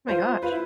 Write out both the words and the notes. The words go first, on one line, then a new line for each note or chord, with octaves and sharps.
My gosh.
F4 C5
F4 B4
E4